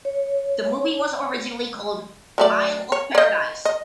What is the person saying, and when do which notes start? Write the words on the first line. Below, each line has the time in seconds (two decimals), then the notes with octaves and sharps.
The movie was originally called "Isle of Paradise".
0.05 C#5
2.38 F#3 A3 D5
2.92 C#5
3.15 D5 D#5
3.65 D#5